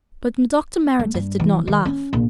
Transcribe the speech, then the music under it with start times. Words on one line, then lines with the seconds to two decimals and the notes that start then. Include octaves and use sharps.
But Dr. Meredith did not laugh.
0.99 A3
1.14 G2
1.40 E3
1.67 D#3
1.86 C#4
2.13 A#1 A#2